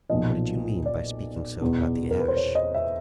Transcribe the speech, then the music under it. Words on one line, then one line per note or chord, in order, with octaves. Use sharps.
"What did you mean by speaking so about the Ash?"
B1 A#2 F3 D#5
D5
E2 B2
A#4
B4
C5
C#5
D#5
E5